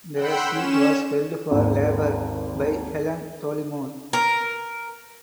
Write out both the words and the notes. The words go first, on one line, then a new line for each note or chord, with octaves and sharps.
The seat was held for Labour by Helen Dollimore.
F#5 G5 B5 C6 E6
C#4 E7
G#1 D#2
A#4